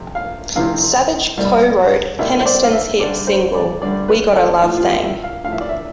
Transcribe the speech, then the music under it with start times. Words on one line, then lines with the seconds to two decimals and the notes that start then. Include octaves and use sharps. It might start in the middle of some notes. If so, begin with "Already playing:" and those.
Savage co-wrote Peniston's hit single "We Got a Love Thang".
Already playing: F2 C3
0.15 F5
0.56 F2 C3 E3 F5
1.37 C2 B2 G3
2.18 C2 B2 G3 E5
2.40 C5
2.46 D5
2.63 F5
2.73 E5
3.00 G2 D3 G3 D5
3.27 C5
3.55 D5
3.82 G2 D3 G3 D5
4.08 B4
4.36 A4
4.62 A2 F3 F4
4.77 F4
4.83 G4
5.04 E5
5.24 F5
5.44 A2 F5
5.48 F3 E5
5.61 D5
5.69 E5